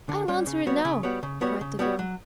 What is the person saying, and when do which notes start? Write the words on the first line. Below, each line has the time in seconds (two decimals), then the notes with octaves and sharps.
"I'll answer it now!" cried the girl.
0.09 D3
0.28 G3 C#4
0.47 C#3
0.66 G3 B3 F#4 C#5
0.85 C#3
1.03 G3 B3 F#4 C#5
1.23 C#3
1.41 G3 B3 F#4 C#5
1.61 C#3
1.79 G3 B3 F#4 C#5
1.99 F#3